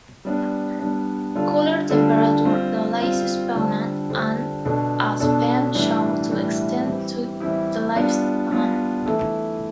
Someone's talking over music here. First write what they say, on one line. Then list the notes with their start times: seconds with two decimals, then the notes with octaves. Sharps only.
Cooler temperature delays spawning and has been shown to extend the lifespan.
0.25 G3 B3 D4
0.80 G3 B3 D4
1.35 D3 G3 D4 F4 A4
1.90 D3 G3 D4 F4 A4
2.45 G3 C4 F4 C5
3.00 G3 C4 F4 C5
3.55 D3 G3 D4 A4 C5
4.10 D3 G3 D4 A4 C5
4.65 B2 B3 D4 A4
5.20 B2 B3 D4 A4
5.75 A2 E3 G3 D4
6.30 A2 E3 G3 D4
6.85 E3 G3 C4 E4 G4
7.40 E3 G3 C4 E4 G4
7.95 G3 B3 D4 F4
8.50 G3 B3 D4 F4
9.06 E3 A3 E4 A4